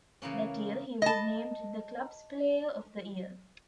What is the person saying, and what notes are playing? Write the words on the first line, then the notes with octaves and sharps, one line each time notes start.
That year he was named the club's player of the year.
C#3 E3 A#3 C#4
D#5 A5